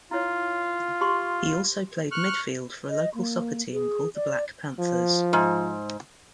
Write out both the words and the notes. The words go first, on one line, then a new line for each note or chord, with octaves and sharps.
He also played midfield for a local soccer team called the Black Panthers.
E4 F4 C#5
G4 C6 C#6
C#6 F6 F#6
D#5
A#3
G#4
D5
F3
G#2